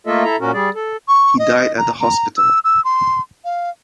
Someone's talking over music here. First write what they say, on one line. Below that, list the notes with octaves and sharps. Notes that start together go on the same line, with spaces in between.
He died at the hospital.
A3 A#3 F4 A4 D#5 E5
E4 A4 E5 A#5
A#2 C#4 F#4 A#4
G3 G#4 D5
A4
C#6
D#5
A#5
A#5
E6
E6
C6
F5